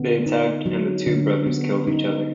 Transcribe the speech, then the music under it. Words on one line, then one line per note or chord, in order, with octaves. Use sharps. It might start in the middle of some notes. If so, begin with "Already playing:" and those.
They attacked and the two brothers killed each other.
Already playing: D3 B3
D#4
F#3
D3
B3
D#4